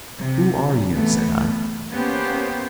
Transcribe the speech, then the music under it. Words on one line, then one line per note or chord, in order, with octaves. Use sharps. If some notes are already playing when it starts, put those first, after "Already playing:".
"Who are you?" said I.
C3
E3 A3 B3
A#3 B3 C#4 G4 C5